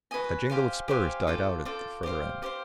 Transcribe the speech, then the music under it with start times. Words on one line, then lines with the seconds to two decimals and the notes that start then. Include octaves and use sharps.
A jingle of spurs died out at the further end.
0.11 F#4 B4 D#5 G#5
0.49 G4 C5 F5 G#5
0.88 G4 C5 F5 G#5
1.27 F4 A4 D5 G5
1.65 F4 A4 D5 G5
2.03 G4 C5 F5
2.43 G4 C5 F5